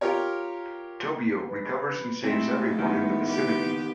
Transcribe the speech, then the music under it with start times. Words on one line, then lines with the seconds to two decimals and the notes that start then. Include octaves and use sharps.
Tobio recovers and saves everyone in the vicinity.
0.01 F4 G4 A#4 C#5
1.50 B4
2.24 G#3 A3 C4 E4
2.79 D#3 B3 E4
3.26 G4 B4